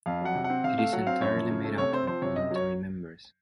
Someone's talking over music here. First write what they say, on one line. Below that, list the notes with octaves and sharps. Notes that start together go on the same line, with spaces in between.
It is entirely made up of voluntary members.
F2 F5
F#3 F#5
C3
F#5
C4
C3 F5
A3 F5
F#3 F#5
C4 F5
F#2 C#5
F3
C#3
A3
C3 C#5
C4 C5
F3 C5
C3 C#5
F#2 D#5
F#3 C#5